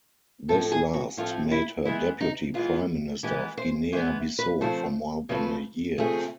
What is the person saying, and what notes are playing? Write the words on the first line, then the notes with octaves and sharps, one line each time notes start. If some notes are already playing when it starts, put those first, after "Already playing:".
This last made her Deputy Prime Minister of Guinea-Bissau for more than a year.
A2 F3 A3 C4 A4
G#4
F#4
A2 F3 A3 C4 F4
E4
E3 G#3 B3 E4
D#4
E3 G#3 B3 F4
E3 G#3 B3 G4
C5
E3 G#3 B3 C5
B4
C#3 F3 A3 C4 C5
C#3 F3 A3 C4 B4
C#3 F3 A3 C4 G#4